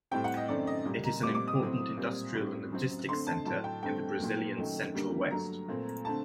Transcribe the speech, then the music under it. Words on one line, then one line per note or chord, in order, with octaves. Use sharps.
It is an important industrial and logistics center in the Brazilian Central-West.
A2 G3 C4 G5
F#5
D#5
F#2 D#3 A3 C4 D5
D#5
A#2 G3 A#3
A#5
A#2 G3 C4 D6
D6
D#6
A2 F#3 C4
A#2 G3 C4
A2 G3 C4
F#2 F#3 C4
D3 A3 C4 C6
A5
A2 F#3 A3 A5
G5
G2 D3 A3 C4 G5
A#2 F#3 A#3
F#2 D#3 F#3 A3
D3 G3 A#3
G2 F#3 A3 A#5
A#2 A3 C4
D3 A3 C4 A5